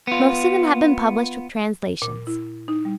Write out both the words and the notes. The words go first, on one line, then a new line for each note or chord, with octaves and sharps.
Most of them have been published with translations.
B3 F4
A#2
E4
D#4
G3